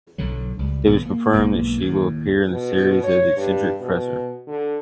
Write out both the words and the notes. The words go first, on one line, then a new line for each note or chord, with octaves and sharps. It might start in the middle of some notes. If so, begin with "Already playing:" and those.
It was confirmed that she will appear in the series as eccentric professor.
B1 D3 F#3
C#2 G3
B1 B2 D#3 B3
A#3
B1 G#2 A#3 B3
D#2 A2
B2
C#5
G2
B2
D3